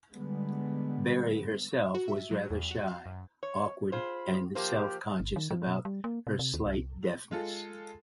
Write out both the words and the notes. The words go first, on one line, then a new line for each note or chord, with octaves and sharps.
Barry herself was rather shy, awkward and self-conscious about her slight deafness.
D3 G3 G#3 B3
F#4
E5
F#3
E2
F#4
F5
F#2
C#5
F4 G#4 C5 B5
F3 A#3 G4 C5
G1
D#3
F3
B2
G3
A#3
C3
C3
D#2
C2
G#3 F4 A4